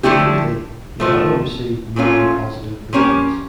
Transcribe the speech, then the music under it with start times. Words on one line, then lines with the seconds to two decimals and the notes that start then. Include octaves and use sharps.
Critically, the album received mainly positive reviews.
0.03 D3 F3 A3 E4 G4
1.00 A2 F3 A3
1.96 A#2 A3 C#4 F4
2.93 F3 A#3 C#4 G4